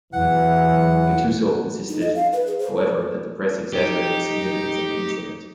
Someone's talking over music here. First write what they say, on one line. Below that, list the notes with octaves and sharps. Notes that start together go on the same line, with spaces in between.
Gattuso insisted, however, that the press exaggerated the significance of the incident.
E2 E3 F#3 F#5
D#4
D#5
F5
B4
G#4
C5
D#4 G4